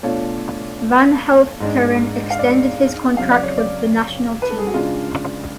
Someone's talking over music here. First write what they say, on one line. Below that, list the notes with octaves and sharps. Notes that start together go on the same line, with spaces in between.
Van Helfteren extended his contract with the national team.
B2 A3 D4 F4 C#5
G#2 G#3 D4
F5
D5
F2 C#3 F#3 F5
D5
C#5
D5
B4
A4
G#4
F#4
C#3 G#3 D4 F4